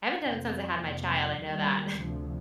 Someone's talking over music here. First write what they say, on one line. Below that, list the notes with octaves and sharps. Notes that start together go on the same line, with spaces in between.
I haven't done it since I had my child I know that.
F2 C3 F3 C4
F2 C3 F3 A#3
D#2 D#3 G3
D2 C3 F3